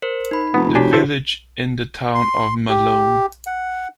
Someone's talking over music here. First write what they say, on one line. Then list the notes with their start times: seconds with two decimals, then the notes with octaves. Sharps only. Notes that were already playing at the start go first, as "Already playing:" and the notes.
The village in the town of Malone.
0.02 A#4 C5
0.31 D#4 B5
0.54 F1 B3
0.75 D4 F#4 G4 C#5 G#5
0.93 E3 A4 C5 E5
2.15 C6
2.69 G4
3.47 F#5